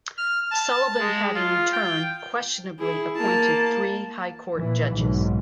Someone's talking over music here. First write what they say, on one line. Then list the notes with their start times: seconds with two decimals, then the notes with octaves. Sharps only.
Sullivan had in turn questionably appointed three High Court judges.
0.18 F6
0.51 A5
0.99 G#3
1.35 F4
1.72 G5
2.79 E4 G#4
3.17 A#3 A5
4.58 A#2 E3
4.94 B1 G#2